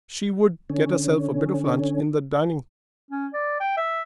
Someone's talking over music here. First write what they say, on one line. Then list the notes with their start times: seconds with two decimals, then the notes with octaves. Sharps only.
She would, get herself a bit of lunch in the dining-room.
0.70 D3 C#4
3.10 C#4
3.33 D5
3.60 G5
3.77 E5